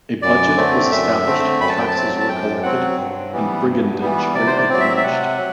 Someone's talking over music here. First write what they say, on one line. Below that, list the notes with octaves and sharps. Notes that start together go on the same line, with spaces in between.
A budget was established, taxes were collected, and brigandage greatly diminished.
F#2 D5
D3 A3 C4
F#2 E5
D3 A3 C4
F#2 B5
A5
G5
A5
F#3 C4
A5
F#2 G5
F#3 C4 F#5
G2
E3 G3 B3
G2
E3 G3 B3
C3 D5
C5
D5
F#3 C4 D5
E5
E5
C3 F#5
F#3